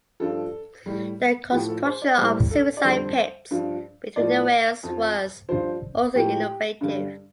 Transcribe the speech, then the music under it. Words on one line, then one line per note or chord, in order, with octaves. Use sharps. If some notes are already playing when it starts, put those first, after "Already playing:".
The construction of "suicide pits" between the rails was also innovative.
G2 F3 A4
A2 G3
A2 F3 G4
A4
C5
D5
A2 G3 C5
A4
D5
F2 D3 G3 C5
G2 F3
A2 F3 D5
F2 F3
G2 F3 C5
A2 F3 G4
G2 D3 G3